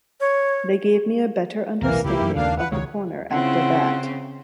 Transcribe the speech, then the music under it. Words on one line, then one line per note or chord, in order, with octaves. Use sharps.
They gave me a better understanding of the corner after that.
C#5
B1 E2 C3 E3 A#3 A#4
C#2 A#3 E4 G4
F#2 E3
D#2 C#3 A#3 D4 F5
B4 F#5
C#2 D#3 G#3 C#5
C#3 C4 E4 F4 F#5